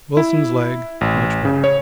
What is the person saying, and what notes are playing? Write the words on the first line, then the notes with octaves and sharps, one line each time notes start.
Wilson's leg much better.
E4
A1
C#3
C#5